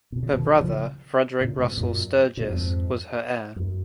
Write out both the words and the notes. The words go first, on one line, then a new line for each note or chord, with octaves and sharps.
Her brother Frederick Russell Sturgis was her heir.
B2
C#3
B2 D#3
D#3
C#3 F3
A#2 C#3
G#2 B2
F#2 A#2
A#2
F2 G#2
F#2